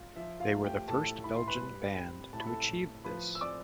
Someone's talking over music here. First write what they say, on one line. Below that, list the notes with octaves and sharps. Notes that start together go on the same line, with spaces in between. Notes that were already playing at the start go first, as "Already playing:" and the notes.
They were the first Belgian band to achieve this.
Already playing: F4
F3 E5
F4 F5
A3
G4 G5
A2 A4 A5
E4 B5
C6
B4 B5
G3
C4
A2 A5
B5
A4 A5
A2
F3 B4 B5
E6
C4 D5 D6